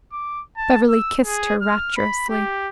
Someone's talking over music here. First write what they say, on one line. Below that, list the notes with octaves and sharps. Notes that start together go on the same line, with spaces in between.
Beverly kissed her rapturously.
D6
A5
E6
G#4
F6
B5
G4